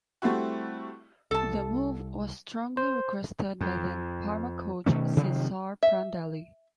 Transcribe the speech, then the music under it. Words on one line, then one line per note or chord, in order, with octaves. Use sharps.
The move was strongly requested by then Parma coach Cesare Prandelli.
G3 A3 C4 E4 F#4
C2 A4 A5
C5
F2
B2 D#3 A3 C#4
C3 D#3 F3 F#3
E5